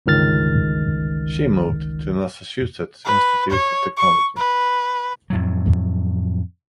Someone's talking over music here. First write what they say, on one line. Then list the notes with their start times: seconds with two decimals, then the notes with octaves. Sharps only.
She moved to Massachusetts Institute of Technology.
0.06 G1 C#2 D#3 F6 A6
3.05 B4
3.50 C#5
3.97 C#6
4.37 B4
5.30 F2 A2 F#3